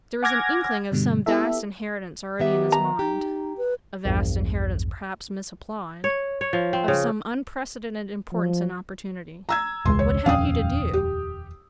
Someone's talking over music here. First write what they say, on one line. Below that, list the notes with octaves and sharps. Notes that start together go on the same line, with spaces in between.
There was an inkling of some vast inheritance already in his mind--a vast inheritance perhaps misapplied--of some unprecedented importance and opportunity. What had he to do?
F#5 G#5 D6 F6 G#6 A#6
G2 B2 D3 G3
B3 E4 G4 A4 E5
D#3 B3 G4 E5
A#5
D#4 G4
B4
A#1 E2 G2
C#5
C#5
F3
C4
C#3
F3
A#5 E6 G#6
E1 C#2 G#3 C6
C#5
D#1 F2 C#4 F5 G5 D#6
G4